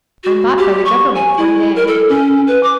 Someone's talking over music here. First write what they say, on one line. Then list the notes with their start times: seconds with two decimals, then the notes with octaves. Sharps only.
"I'm bought by the government for to-day."
0.24 F#4
0.58 G4
0.85 C#6
1.15 G#5
1.37 E4
1.76 A#4
1.88 A4
2.09 C#4
2.47 B4
2.63 D6